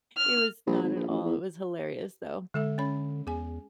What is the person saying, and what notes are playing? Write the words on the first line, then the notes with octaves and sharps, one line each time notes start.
It was not at all. It was hilarious, though.
F6
A#1
G#1
A#1
A1
E2
D3 G#3 A4 E5
C#4 C#5 B5
E2 G#4 G#5